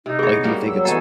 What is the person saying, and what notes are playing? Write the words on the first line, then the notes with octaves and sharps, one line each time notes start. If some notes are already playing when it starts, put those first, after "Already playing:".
Like, do you think it's
C3 D#4
B3 G#4 C#5 E5
G3 A#3 F#4
F#3 E6
E3 B3 D#4 F#4 A4 F#5 G#5 A#5